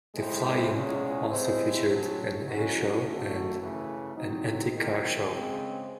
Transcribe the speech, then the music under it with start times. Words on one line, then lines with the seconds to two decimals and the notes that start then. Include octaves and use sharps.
The fly-in also featured an air show and an antique car show.
0.15 A2 G#3 C4 E4 C5
0.73 E2 C#3 G#3 C#4
1.30 G#3 C4 E4 C5
1.87 A2 F#3 C#4
2.44 G#2 F#3 C#4 F#4
3.02 F#2 D#3 A3 C#4 F#4
3.59 C#3 E3 A3
4.16 F#3 C4 D#4
4.73 G#2 D#3 F#3 A3 C4
5.31 C#3 G#3 C4